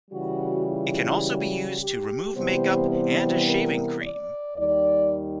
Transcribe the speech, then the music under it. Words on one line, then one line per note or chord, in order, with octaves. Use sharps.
It can also be used to remove makeup and as shaving cream.
C#3 E3 G3 F#4
F4
F#4
G4
C3 E3 G3 B3 C5
C5
A#4
D5
D#2 D#3 G3 D5